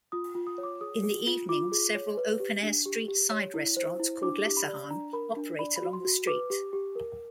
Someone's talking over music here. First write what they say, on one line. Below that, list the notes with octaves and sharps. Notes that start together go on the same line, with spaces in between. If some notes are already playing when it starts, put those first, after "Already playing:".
In the evening several open-air street side restaurants, called "lesehan", operate along the street.
F4 D#6
F4
D#6
C#5
D6
G#4 D#6
G#4
F4
F4 D6
G#4
C#5
B4
G4
D4
G4
G4
C#5
E4
C5
E4
D4 D6
G4
B5
D5
D4 A#5
A#4 B5
D4
D5 B5
B5
F#4
C6
F#4
B4 D6
G4
G4
A#4